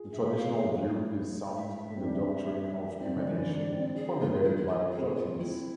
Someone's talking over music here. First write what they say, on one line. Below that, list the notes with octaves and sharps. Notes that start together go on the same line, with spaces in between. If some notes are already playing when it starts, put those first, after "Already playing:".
The traditional view is summed in the doctrine of emanation formulated by Plotinus.
Already playing: F4 G#4
G#4 E5
F4
E4 F5
F4
E4
E5
C4
D4
C4 D5
D3
E3
D4
C4
G#4
F4
E4
E4
F4
C4 G#4
F4
C4 E4